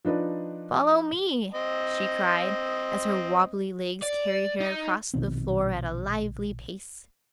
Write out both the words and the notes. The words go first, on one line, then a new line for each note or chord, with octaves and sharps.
"Follow me!" she cried as her wobbly legs carried her across the floor at a lively pace.
F3 D4 D#4 B4 D5
C4 D#5
D5
D#4
A#1 B2 D#3 C4